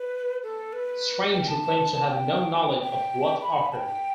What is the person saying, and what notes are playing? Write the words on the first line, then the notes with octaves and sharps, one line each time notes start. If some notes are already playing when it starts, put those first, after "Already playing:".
Strange who claims to have no knowledge of what occurred.
Already playing: B4
A4
B4
G5
A5
A5
A5
G5
G5
B5
A5
G5